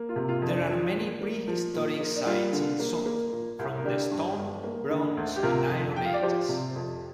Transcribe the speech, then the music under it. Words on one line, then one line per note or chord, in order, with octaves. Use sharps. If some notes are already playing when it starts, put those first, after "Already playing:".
There are many pre-historic sites in Sund from the Stone, Bronze and Iron Ages.
Already playing: A#3
F4
C3
F4
F2
D4
F3
A#2
A#3
F3
A#2
A#3
D4
G3 F4
D3
A#3
A#3
A#2
C2
A#4
D3 D4 G4
G2
G1
A#3
D3
D2
G4
C3 F4 A#4
F2
F3 G5
F5
D5
F3 G4 C5
C3
F2